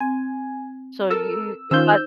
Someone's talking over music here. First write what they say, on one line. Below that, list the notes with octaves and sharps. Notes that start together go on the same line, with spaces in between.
So you uh, what
C4 G#5
A4 A#4 E6
D#3 C#4 D#4 F4 C5 E6 G6